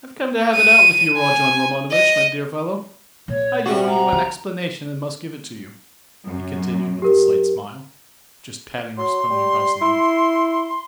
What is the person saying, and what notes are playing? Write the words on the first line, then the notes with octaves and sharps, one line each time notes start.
"I've come to have it out with you, Rodion Romanovitch, my dear fellow! I owe you an explanation and must give it to you," he continued with a slight smile, just patting Raskolnikov's knee.
D#7
G#5
D#5
A#2 C#5
C3 C#4 F#4
A#5
D3
F#2
G4 A#4
F#3 C6
G3
E4